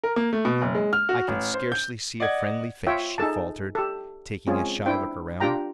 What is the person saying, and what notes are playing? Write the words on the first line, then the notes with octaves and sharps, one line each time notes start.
"I can scarcely see a friendly face," she faltered, taking a shy look around.
A#4
A#3
A3
B2
F#1
G#3
F6
F#4
A1
C5
G6
D5 D#5 F#5 G#6
F4 C#5 E5 G5
D#4 G#4 A4 A5
G4 A4
G#3 C4 C#4 F4 G#4
D4 E4 C5 G5
D4 F4 G4 G5 A#5